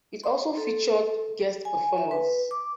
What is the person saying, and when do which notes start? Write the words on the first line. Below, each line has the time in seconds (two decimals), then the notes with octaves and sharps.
It also featured guest performers.
0.24 C6
0.57 A4
1.65 G#5
1.98 E5
2.11 B4
2.51 D6